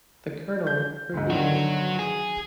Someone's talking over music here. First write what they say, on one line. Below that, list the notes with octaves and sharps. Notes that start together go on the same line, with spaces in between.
The colonel refused.
G6
D2 G#2
G1 D3 D#3 F#3 F#4
G#4